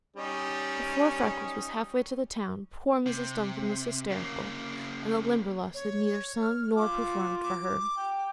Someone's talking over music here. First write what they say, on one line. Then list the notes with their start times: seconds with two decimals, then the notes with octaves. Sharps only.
Before Freckles was halfway to the town, poor Mrs. Duncan was hysterical, and the Limberlost had neither sung nor performed for her.
0.16 G3 C#4 D#4
3.07 C3
4.11 C#3 A#3
5.74 C#5
6.41 F6
6.76 F4 D6
7.43 D6
7.97 G5